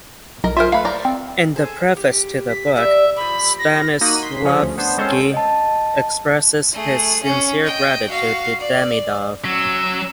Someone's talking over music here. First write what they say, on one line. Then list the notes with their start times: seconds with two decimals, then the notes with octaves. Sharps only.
In the preface to the book Stanislavsky expresses his sincere gratitude to Demidov.
0.44 B1 A#4 D#5
0.57 F4 G#4 A#4 C5 E5
0.72 A3 B4 F5
0.85 F3 D5 A#5
1.05 C4
1.56 G#4 A4 C5
1.97 G4
2.49 B6
2.76 G3 D5 E5
3.16 F3 G4 B5
3.59 A#6
4.01 A#3 D#4 F#4 D#6 F#6 D#7
4.22 C6 B6
4.44 C#3 F3 C#4 G#4
4.63 D2
4.77 B3 D4 C5
4.98 G#3 C4 C#4 A4 C5 C#5
5.34 D#5 A5
6.73 A3 G#4
7.23 C#4
7.65 D#5 G5
8.09 F#4 F5
8.60 D5
9.45 F#3 C#4 E6